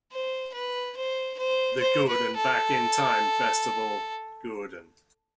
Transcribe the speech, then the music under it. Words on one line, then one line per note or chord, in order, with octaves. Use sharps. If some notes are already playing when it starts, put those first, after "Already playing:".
The Gordon Back in Time Festival, Gordon.
C5
B4
C5
C5
C5
B4
A4